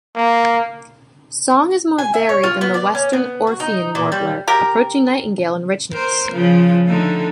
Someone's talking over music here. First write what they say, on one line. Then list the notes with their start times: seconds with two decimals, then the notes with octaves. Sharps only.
Song is more varied than the western Orphean warbler, approaching Nightingale in richness.
0.15 A#3
1.98 G#5
2.14 E5
2.29 C#5
2.43 F4
2.61 B3
2.74 D5
2.95 C#4
3.13 B3
3.47 F#4
3.60 D#4
3.95 A#2
4.12 G3
4.48 G4 A#4
5.92 A#4 C5
6.32 C#3 F3
6.88 D3 A3 D#4